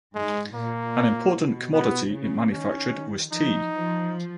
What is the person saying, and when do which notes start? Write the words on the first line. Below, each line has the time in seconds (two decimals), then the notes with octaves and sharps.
An important commodity it manufactured was tea.
0.15 G#2 G#3
0.54 A#2 A#3
1.33 B2
1.73 B3
2.13 C#3
2.52 D#3 C#4
2.92 D#3
3.32 F3 D#4
3.71 F3